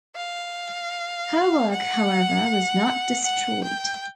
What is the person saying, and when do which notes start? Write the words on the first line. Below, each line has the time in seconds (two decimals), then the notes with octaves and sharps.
Her work however was not destroyed.
0.16 F5
1.71 F#5
3.24 F#5
3.63 G5